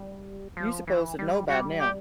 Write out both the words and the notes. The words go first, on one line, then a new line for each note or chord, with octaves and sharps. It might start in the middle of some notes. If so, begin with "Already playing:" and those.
you supposed to know by now.
Already playing: G3
F3
E3
G3
G3 F#4
G4